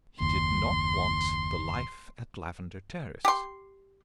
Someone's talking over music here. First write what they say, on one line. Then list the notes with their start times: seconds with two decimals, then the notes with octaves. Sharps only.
He did not want the life at Lavender Terrace.
0.20 F#1 D#2 C6
3.25 G4 C6